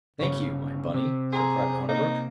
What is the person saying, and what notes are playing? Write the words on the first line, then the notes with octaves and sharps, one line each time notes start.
"Thank you, my bunny," said Private Hornabrook.
G1 C#3 C#5
C3
G#4 A#5 C6
A#3 D#4